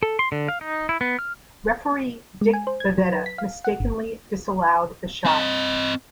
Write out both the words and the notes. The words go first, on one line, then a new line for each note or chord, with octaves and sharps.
Referee Dick Bavetta mistakenly disallowed the shot.
A4
C6
D3
F5
D#4
E4
B3
F6
G#3
G#5
C5
G#6
F#3
B4
B6
F5
F#5
G1
C4 D#5